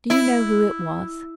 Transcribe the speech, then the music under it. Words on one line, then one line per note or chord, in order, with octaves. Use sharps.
"Do you know who it was?"
E4